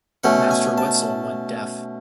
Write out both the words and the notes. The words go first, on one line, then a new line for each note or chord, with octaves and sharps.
Master Wetzel went deaf.
B2 A3 C#4 F#5
G#5
A5